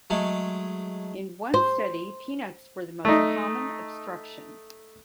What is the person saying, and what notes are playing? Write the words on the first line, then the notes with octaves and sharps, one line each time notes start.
In one study, peanuts were the most common obstruction.
F#3 G#3 A3
C5
A3 D#4